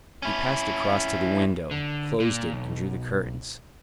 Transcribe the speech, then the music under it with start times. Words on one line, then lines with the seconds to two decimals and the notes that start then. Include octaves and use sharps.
He passed across to the window, closed it and drew the curtains.
0.22 C#4 E4
1.71 D3
2.20 A#2
2.53 B1